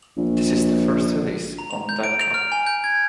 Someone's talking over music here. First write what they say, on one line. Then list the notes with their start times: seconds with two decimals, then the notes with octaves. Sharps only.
This is the first release on Decca.
0.17 A#1
1.58 A#5
1.71 F7
1.89 G6
2.04 D7
2.21 F7
2.34 F6
2.52 G#5
2.66 G6
2.84 G#6